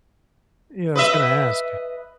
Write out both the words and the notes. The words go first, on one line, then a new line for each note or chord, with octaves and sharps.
Yeah, I was gonna ask.
B4 D#5 E5